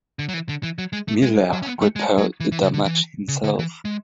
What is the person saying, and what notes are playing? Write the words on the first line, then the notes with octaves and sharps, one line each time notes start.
Miller repaired the damage himself.
D3
F#3
E3
D3
E3
F#3
G#3
A3
G#3
F#3
C#4
B3
A3
G#3
F#3
E3
E3
C#3
D3
E3
C#3
D3
E3
G#3